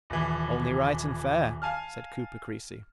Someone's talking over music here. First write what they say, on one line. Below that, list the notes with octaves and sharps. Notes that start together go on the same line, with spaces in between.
"Only right and fair," said Cooper Creasy.
D#1 E3
F5 G#5 A5 F6